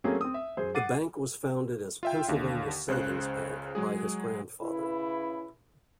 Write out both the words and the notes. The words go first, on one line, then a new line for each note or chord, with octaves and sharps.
The bank was founded as Pennsylvania Savings Bank, by his grandfather.
F#3 A3 A#3 C4 C#4 G#4
C4 D#6
E5
F#2 G#4 C5
F#5 D6 A6 C7 D#7
F4 E5 G5
D#2 D3 F5
C#2 C#3 C5 F#6
F#3 G#3 G#4
C#3 E4 B4